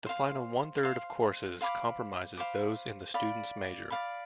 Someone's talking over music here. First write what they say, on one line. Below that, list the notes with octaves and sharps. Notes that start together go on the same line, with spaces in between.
The final one-third of courses comprises those in the student's major.
C5 F5 C6
C5 F5 C6
C5 F5 B5 D6
C5 F5 B5 D6
D5 F5 B5
D5 F5 B5